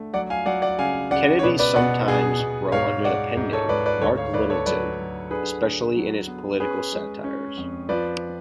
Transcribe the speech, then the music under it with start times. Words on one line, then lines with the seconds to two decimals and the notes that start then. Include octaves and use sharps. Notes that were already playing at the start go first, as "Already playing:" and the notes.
Kennedy sometimes wrote under the pen name "Mark Littleton", especially in his political satires.
Already playing: D3 A3
0.14 F#3 D5 F#5
0.30 F5 G#5
0.46 F#3 D5 F#5
0.62 D5 F#5
0.79 C#3 F5 G#5
1.11 C#3 D5 F#5
1.39 C#5
1.43 B2 B4 D5
1.59 B4 D5
1.76 B2 D5 F#5
2.08 B2 G#4
2.40 B2
2.72 G#2 C#5 F5
3.04 G#3 D5 F#5
3.37 G#2
3.53 A4 C#5
3.69 G#2 B4 D5
3.86 B4 D5
4.01 D2 A4 C#5
4.17 C#5 F5
4.33 D2 B4 D5
4.50 A4 C#5
4.66 F#3 B4 D5
4.98 F#3
5.31 D3 G#4 B4
5.64 D3
5.96 F#3
6.28 B3
6.60 C#4 G#4 B4
6.92 G#3
7.24 C#4
7.57 F2
7.89 F3 B4 D5